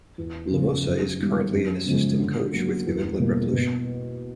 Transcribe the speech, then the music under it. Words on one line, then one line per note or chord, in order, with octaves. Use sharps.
Llamosa is currently an assistant coach with New England Revolution.
E2
C#3 F3
F#2
D#3 G3
F#2
C#3 F3 G#3
D3
F#3 A#3
E2
B2 G3 A#3
B2